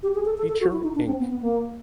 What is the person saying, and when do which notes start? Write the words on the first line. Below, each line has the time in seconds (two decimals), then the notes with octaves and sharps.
Feature Inc.
0.03 G4
0.15 G#4
0.25 A4
0.38 A4
0.49 A4
0.61 F#4
0.72 E4
0.83 D#4
0.95 D4
1.07 C4
1.19 B3
1.31 B3
1.42 A#3